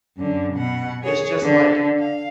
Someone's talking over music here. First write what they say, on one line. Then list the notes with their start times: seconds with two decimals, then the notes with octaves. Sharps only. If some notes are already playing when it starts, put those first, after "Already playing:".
It's just like
0.17 F#2 D3
0.54 B2 F#5
1.02 G#4 C#5
1.43 D3
1.98 F5